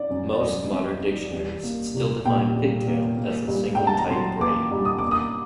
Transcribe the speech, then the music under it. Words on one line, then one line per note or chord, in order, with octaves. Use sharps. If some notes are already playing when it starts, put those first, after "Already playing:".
Most modern dictionaries still define "pigtail" as a single tight braid.
Already playing: D#4 D5
F#2
D5
F#3 D#5
C4
D#4
G3
A#3
C2
A#2 G5
G3
A#3
A#3
G2
G2 G5
A5
A#5
F#3 C6
A#3 D6
G2
D#6
A#3 D6
D#6